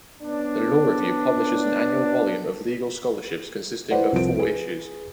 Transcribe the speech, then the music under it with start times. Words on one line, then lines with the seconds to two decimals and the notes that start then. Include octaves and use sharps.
The "Law Review" publishes an annual volume of legal scholarship consisting of four issues.
0.21 B3 C#4 D4
3.91 E4 B4 C5 D5 F#5
4.12 C2 F3 C5 D7
4.37 G#4 B4